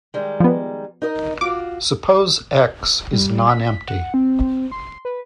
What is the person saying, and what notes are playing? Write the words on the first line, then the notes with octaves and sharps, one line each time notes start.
Suppose "X" is non-empty.
D#3 G3 G#3
F3 B3
D#4 A#4 D#5
F4 F#4 F5 D6
G3
B6
F#5
C4
C6
B4